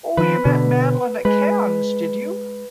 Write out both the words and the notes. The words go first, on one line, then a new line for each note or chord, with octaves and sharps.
Oh, you met Madeline at Cannes, did you?
D#3 F3 B4
B2 D3
G#3 B4